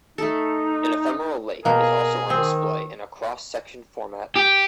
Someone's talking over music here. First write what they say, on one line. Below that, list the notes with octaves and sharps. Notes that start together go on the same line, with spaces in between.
An ephemeral lake is also on display in a cross section format.
A3 D#4 A4
B2 A#3 G#4 A#4
D#3 C4
G4